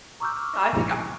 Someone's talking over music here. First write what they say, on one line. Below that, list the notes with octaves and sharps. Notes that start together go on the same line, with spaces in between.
Yeah, I think I
A#5 C#6 D6 E6 F6 G6